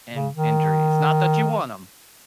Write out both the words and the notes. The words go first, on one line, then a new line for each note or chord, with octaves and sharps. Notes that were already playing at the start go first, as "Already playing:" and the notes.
an injuries. Not that you want 'em,
C#3
D#3